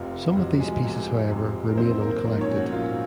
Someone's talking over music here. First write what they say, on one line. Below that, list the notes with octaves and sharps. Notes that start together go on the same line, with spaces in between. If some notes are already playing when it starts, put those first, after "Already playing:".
Some of these pieces, however, remain uncollected.
Already playing: F1 F2 C3 F4
F1 F2 C3 F#3 F#4
G#3 G#4
F1 F2 C3
F1 F2 C3
A#4
A#1 G#2 F#3 A#3 C4 C5
A#3 A#4
A#1 G#2 F#3 A#3
C#4 C#5
F#3 F#4
A#1 G#2 F#3 A#3 F4
F#4